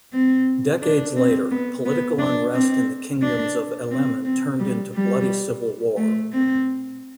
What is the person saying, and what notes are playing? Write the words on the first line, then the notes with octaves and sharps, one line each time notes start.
Decades later, political unrest in the kingdoms of Elemen turned into bloody civil war.
C4
D4
C4
B3
B3
D4
C4
D4
C4
C4
G3
G3
A3
C4